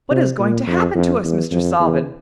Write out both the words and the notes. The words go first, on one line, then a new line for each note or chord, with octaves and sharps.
What is going to happen to us, Mr. Salvin?
C3
A#2
F2
F2
E2
F2
E2